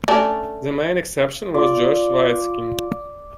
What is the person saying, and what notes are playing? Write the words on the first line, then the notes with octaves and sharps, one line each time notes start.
The main exception was Josh Waitzkin.
A3 C#4 D4
F4 D5